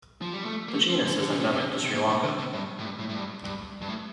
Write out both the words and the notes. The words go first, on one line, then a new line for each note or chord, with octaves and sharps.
The genus is endemic to Sri Lanka.
F3
G3
A3
A#3
A3
F3
D3
D3
C3
A#2
C3
C3
A#2
A#2
D3
C3
G2
A2
G2
A2
A2
G2
G2
G2
A2